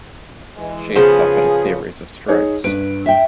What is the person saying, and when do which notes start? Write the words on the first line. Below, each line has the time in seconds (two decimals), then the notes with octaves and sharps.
She had suffered a series of strokes.
0.57 E3 G#3
0.96 C#3 F3 B3 G#4
2.28 D#4 G#4 C#5
2.64 G2 B4 D7
3.06 E5 G5